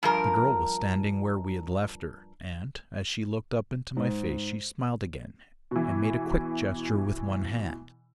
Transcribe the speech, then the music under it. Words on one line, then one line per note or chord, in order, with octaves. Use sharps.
The girl was standing where we had left her, and as she looked up into my face, she smiled again, and made a quick gesture with one hand.
G2 F3 A#4
G#2
B2 E3